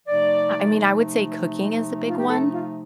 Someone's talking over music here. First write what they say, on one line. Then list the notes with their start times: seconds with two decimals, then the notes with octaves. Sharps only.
I I mean, I would say cooking is the big one
0.06 C3 F3 A3 D#4 D5
2.07 F4
2.18 G4
2.28 A4
2.52 F4